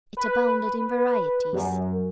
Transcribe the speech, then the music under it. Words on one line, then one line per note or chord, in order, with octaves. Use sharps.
It abounded in varieties.
B4
F#2